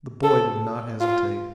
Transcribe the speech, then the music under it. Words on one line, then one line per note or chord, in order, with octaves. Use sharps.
The boy did not hesitate.
A4
F4